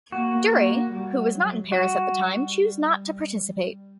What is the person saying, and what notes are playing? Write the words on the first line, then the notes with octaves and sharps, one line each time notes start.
Durey, who was not in Paris at the time, chose not to participate.
A#3 F#4
A#3
G3
F#3
G3 F#4